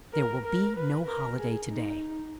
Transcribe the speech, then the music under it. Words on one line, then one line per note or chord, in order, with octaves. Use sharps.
There will be no holiday to-day.
A#4
A#4
B4
A#4
G#4
D#4